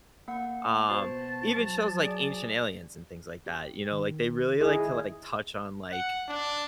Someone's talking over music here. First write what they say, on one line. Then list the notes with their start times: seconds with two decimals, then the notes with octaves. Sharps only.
Um, even shows like Ancient Aliens and things like that, you know? Like, they really like to, like, touch on, like,
0.28 A#3 F#5
0.90 B2 F#4 C5 A5
1.57 F#3
2.02 G#4 D5
3.46 G4
3.92 D#3
4.61 E4 G#4 D#5
5.92 F#5
6.28 D4